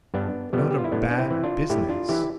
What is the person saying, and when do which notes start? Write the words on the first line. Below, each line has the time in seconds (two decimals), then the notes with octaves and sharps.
"Not a BAD business?"
0.14 G2 B3 D4
0.53 D3 F3 G3 B3
0.71 G4
0.78 F4
0.84 E4
0.92 A2 B3 D4
1.11 D4
1.18 C4 E4
1.31 E3
1.44 D4 F4
1.70 A2 E4 G4
1.89 D4 F4
2.09 E3 E4 G4